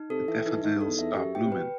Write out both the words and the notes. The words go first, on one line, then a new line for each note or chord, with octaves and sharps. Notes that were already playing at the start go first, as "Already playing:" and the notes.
The daffodils are blooming.
Already playing: D#4
C3 A4
E3 E5
E3 D#4
D#3 D#4
G2
A4
E2
E2 E5
F#2 G4
B2 G5
C3
B2 B4